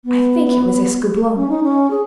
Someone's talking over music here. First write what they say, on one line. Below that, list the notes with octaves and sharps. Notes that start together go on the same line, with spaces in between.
I think it was Escoublon.
B3
C#4
D#4
C#4
G#4